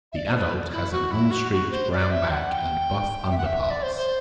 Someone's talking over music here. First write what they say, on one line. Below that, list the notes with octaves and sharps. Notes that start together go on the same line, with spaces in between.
The adult has an unstreaked brown back and buff underparts.
E5
D5
C5
B4
E4
F#4
E4
F#4
F#4
C5
D5
E5
G5
F#5
G5
E5
F#5
E5
D5
C5
C5